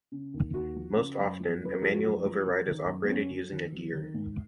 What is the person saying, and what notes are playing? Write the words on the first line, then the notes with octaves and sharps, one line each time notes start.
Most often, a manual override is operated using a gear.
C#3
D#2
D#2 F#4
F3
C#3
F#2
F3
F#2 B4
A#4
F3 G#4
F#4
F#2 F4
F3
F#3
D#3
F#2
B3
F#2 C#4
F#3
D#3
F#3
D#3
G#2